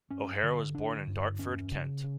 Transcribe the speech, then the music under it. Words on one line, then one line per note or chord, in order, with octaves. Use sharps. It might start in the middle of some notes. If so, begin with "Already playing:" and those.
O'Hara was born in Dartford, Kent.
G2 C#4
D3
D3 D4
G2
E2 C#4
C#3
C#3